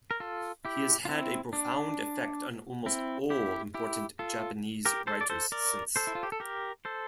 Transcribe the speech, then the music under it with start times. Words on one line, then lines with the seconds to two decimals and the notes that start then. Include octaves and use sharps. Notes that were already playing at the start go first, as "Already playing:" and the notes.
He has had a profound effect on almost all important Japanese writers since.
0.11 A#4
0.20 F4 A4
0.65 E4 G4
1.05 F4
1.09 C4 E4
1.53 D4
2.86 C4 E4
3.30 E4 G4
3.74 E4 G4
4.19 F4 A4
4.85 G4 A#4
5.07 A4 C5
5.21 D5
5.30 A4 C5
5.52 A#4 D5
5.96 A4 C5
6.07 E4
6.15 F4
6.23 G4
6.32 A4
6.40 G4 A#4
6.85 A4 C5